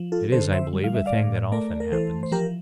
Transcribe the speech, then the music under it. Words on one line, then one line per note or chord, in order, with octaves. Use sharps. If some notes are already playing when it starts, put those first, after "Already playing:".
It is, I believe, a thing that often happens.
Already playing: F3
F4 A4
D3 A4 C5
C5 E5
G3
F5
E5
D5 F5
A2
A3 A#4 D5
A#4
E3 A4 C5
C5
F3 G4 A#4